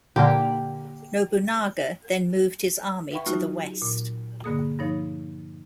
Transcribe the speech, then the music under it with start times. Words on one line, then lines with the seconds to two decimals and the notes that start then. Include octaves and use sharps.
Nobunaga then moved his army to the west.
0.16 A#2 D3 A#3 G4
3.11 B4 E5 F#5 G5 B5 C#6
3.26 F#3 A3 D#4 F4 F#4
3.82 A#2
4.44 G2 D3 A#3 G#4 D#6
4.79 G2 F3 D#4 C#5